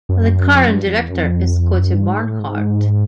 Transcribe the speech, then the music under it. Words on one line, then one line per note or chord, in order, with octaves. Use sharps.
The current director is Scotty Barnhart.
F#2
F2
F#2
G2
F2
E2
F#2
F2
F#2
G2
G#2
A2
G#2